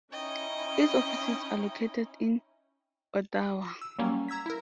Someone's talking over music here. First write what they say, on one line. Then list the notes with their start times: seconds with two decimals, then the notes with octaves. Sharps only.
Its offices are located in Ottawa.
0.12 C#4 D#4 E4 D#5 G5
3.81 E6
3.99 F#3 G3 A#3 C#4
4.28 A#5 E6 G#6 B6
4.46 E4 A#4